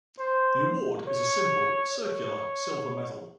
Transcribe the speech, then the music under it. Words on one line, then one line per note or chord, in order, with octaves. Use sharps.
The award is a simple, circular, silver medal.
C5
C#5
C#5